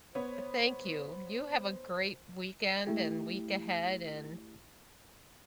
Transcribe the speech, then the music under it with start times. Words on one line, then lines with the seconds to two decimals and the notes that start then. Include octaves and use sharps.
eh thank you, you have a great weekend and week ahead, and
0.15 B3 C5 C#5
2.87 A3 E4 G4